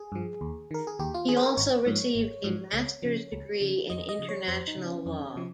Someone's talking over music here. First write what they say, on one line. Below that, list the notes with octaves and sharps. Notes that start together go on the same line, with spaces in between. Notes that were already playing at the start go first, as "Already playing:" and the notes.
He also received a master's degree in international law.
Already playing: G#4
G2 F3
D#2
D#3 A#4
G#4
D#2 G4
F4
D#3 G#4
C5
A#4
G#1 C#5
G#2 F3
G#1
G#2 F3
C#2
C#3 F3
C#2
C#3 F3
F2 D#5
D#5
C#3 F3
C#5
F2 C5
D#4
C#3 F3
C#4
F2 C#4
C#4
C3 F3